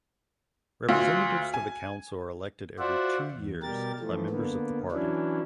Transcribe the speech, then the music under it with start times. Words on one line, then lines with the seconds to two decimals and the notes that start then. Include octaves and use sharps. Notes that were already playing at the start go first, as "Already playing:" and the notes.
Representatives to the council are elected every two years by members of the party.
0.89 D2 F4
1.54 G#5
2.79 F4 F#4 C5 D5 E5 F#5
3.32 E2
3.63 B2 G3 G4 A#4 A6
4.00 E3 F3 A3
4.30 D3 A#3 B3
4.92 E3 F#3 C#4 D4 E4